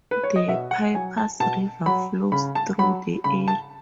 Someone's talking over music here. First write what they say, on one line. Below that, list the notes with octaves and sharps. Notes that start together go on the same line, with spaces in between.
The Pipers River flows through the area.
B4
C#5
D#5
B2 E5
F#5
F#3 G#5
A5
B2 A5
F#3 B5
C#3 B5
A5
F#3 B5
C#3 B5
A5